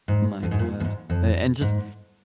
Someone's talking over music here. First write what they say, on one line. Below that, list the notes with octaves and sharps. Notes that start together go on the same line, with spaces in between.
my dad, and and just
G#2
F2
G#2
A#2
F2
G#2
F2
G#2